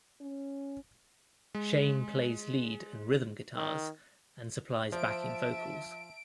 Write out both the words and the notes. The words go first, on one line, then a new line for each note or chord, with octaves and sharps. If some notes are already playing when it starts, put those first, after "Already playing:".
Shane plays lead and rhythm guitars, and supplies backing vocals.
C#4
G#3
D#3
F3 C5 E5 A5 D7